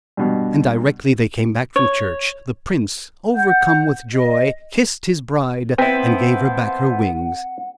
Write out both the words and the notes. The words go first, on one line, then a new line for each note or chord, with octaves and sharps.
And directly they came back from church the prince, overcome with joy, kissed his bride, and gave her back her wings.
G2 B2
C#5
F#5 G6
D#5
F3 B3 C4 E4 C5 F#5